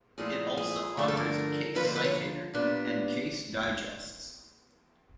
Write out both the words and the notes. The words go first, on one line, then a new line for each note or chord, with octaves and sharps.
It also offers a case citator and case digests.
A#2 F3 A3 C4 E4 G#4
G#4
G2 D3 F3 A3 D4 A4
A4
A#4
D#2 D3 F3 B4
C5
B4
C#5
A#2 G3 B3 D4